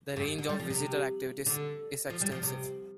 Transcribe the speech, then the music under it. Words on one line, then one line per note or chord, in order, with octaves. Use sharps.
The range of visitor activities is extensive.
G2
D3
G3
F3
C3
D3
F3
G3
F3
C3